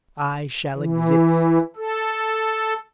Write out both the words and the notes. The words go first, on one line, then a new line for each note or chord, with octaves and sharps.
I shall exist.
E3
A4